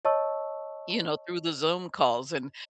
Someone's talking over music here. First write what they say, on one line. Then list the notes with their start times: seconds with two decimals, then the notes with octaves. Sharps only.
you know, through the Zoom calls and
0.05 C#5 D#5 A5 C#6 E6